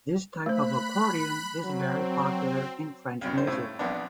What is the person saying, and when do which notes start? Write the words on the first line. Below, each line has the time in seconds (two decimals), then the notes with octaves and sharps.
This type of accordion is very popular in French music.
0.46 A3 C5 B5 F#6
1.65 F#3 C4
3.21 C2 F#2 B2
3.34 D#3 C5
3.47 A2 C#3
3.79 B1 F2 B3 D4